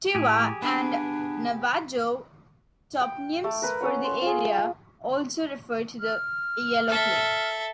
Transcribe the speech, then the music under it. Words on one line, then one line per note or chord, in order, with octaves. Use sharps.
Tewa and Navajo toponyms for the area also refer to the yellow clay.
A2 G4 G#4
B3 D4 B4
G5
A3
A#4 B4 B5
C#4 A4 C#5 F#5
C6
F4 G#4
F6
A4 E5